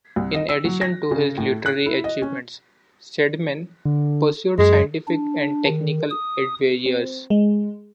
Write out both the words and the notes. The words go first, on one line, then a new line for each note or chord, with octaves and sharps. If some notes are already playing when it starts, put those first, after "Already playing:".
In addition to his literary achievements, Stedman pursued scientific and technical endeavors.
C2
D#5
E6
F#3
A#6
C#3
A2
F#6
E4
D#5
C#4
D3
F#2 G#3
D4
D#3
D#6
C4
G#3